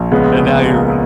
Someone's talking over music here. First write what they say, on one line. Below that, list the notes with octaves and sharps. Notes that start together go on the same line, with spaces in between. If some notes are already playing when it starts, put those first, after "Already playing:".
and now you're
Already playing: A#1
C#2 G#3 B3
C#3
C#2 A#3